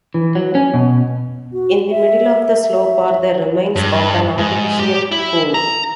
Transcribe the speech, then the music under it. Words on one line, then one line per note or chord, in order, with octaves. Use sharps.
In the middle of the slope are the remains of an artificial pool.
E3
F#3
C#4
B2
F#4
E5
E5
G2
G#2
G4
E4
A#5